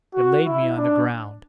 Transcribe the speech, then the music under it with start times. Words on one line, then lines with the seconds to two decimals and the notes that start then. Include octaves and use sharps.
It laid me on the ground.
0.14 F#4
0.46 E4
0.77 D4